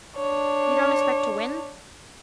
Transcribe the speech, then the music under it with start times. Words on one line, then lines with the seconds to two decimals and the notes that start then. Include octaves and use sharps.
"You don't expect to win?"
0.17 D4 C#5